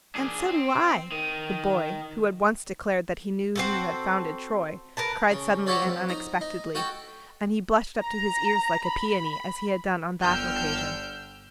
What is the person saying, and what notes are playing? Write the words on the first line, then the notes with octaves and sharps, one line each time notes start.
"And so do I!" the boy, who had once declared that he knew who had founded Troy, cried suddenly and unexpectedly, and he blushed up to his ears like a peony as he had done on that occasion.
D4 G#4
C4
D#3
C4 F#4 A4
A#4 B4 A5
C#3
F#4 G4 A4 C#5 D5
F2
D#4 A#5
D#4
F#4 A4 G5
A#5
B5
G1 D3 G5 E6 F6 G6